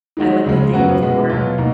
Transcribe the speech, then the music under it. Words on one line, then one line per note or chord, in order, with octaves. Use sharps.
I went the day before.
D#3 G#3 D#4 F#4
C#2 C#3 F3 G#3
F#2 C#3 F#3 B3 F#4
B2 G#3 B3 F#4
B2 F#3 B3 F4
B2 A#3 D#4